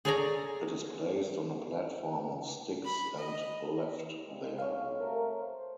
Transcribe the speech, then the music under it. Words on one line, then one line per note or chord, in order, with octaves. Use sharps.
It is placed on a platform of sticks and left there.
G#4 A4 C#5 D5 G#5 A#5
B5
D#5
F3 G3 G#3
B1 C#5 F5
C3 A3 A#4
C5